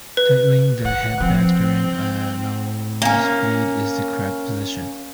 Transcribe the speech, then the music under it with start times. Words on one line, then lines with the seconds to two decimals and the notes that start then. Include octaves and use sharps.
Tilting the head back during a nosebleed is the correct position.
0.17 B4
0.85 D3 F#5
1.20 F3 C4
3.02 A#3 C#4